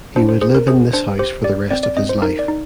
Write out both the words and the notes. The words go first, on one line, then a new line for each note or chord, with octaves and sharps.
He would live in this house for the rest of his life.
D4 C5
C5
G#4 C5
A#4
G#4 C5
D4 C5
G4 C5
G4 D5
C4 D5
D5
C4 D#5
C5
D#4 A#4
D5
D#4